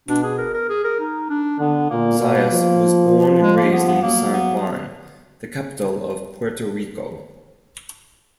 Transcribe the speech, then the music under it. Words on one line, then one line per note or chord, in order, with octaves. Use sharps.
Zayas was born and raised in San Juan, the capital of Puerto Rico.
B2 D4
G#4
A#4
A#4
G#4
A#4
D#4
D4
D3 B3
A#2 A#3
B2
F3
G#3
A#3
B3
B3
F#3 A#3
B3